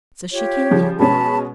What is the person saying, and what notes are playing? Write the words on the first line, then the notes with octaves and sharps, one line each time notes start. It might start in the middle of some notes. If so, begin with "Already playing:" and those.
So she came in.
F4 G4 C#5
C#3 F3 G3
B2 G#3 C#4 A5 B5